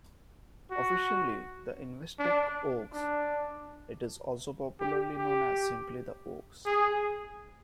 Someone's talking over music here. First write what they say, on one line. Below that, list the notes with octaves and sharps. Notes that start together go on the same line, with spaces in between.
Officially the Investec Oaks, it is also popularly known as simply The Oaks.
F#4
D4
D4
G4
G4
G#4